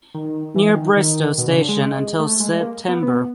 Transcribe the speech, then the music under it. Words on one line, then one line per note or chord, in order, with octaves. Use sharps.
Near Bristoe Station until September.
D#3
E3
D#3
D#3
B2
C#3
D3
G#3
A3
G#3
A#3
B3
B3